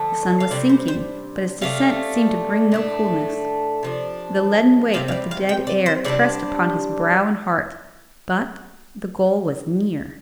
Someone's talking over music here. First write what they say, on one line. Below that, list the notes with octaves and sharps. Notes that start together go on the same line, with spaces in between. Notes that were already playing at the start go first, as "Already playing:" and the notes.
The sun was sinking, but its descent seemed to bring no coolness; the leaden weight of the dead air pressed upon his brow and heart, but the goal was near.
Already playing: D3 F3 A3 D4
F5
C3 G3 D4 D5
C5
C5
C3 A3 D4 F5
A2 A3 D4
C3 F3 D4
C3 G3 C4 F5
F5
D5
F5
G5
D5
C5
C3 G3 D4 D5